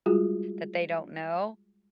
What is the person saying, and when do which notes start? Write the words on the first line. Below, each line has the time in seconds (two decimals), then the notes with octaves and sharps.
that they don't know,
0.06 G3 G#3 F4 F#4 G#4